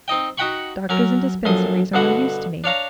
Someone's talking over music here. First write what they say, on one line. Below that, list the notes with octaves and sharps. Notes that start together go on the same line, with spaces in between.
Doctors and dispensaries are no use to me.
C4 D#4 D#5 G5
D#4 F#4 F#5 G5 B5 C#6
F#3 C#4 A#4
A#1 F#2 A4 C6 D#6
G2 B2 D3 F#4 F#5
D4 C#5 F5 A#5